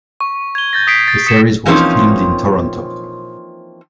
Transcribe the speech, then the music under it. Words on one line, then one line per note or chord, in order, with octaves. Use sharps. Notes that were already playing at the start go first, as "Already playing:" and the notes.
The series was filmed in Toronto.
C#6
G#6 G7
G6 A6 A#6
D#6 B6 C7 D7
A6
D#6 C#7 E7
E3 F3 A#3 C4 C#4 D#4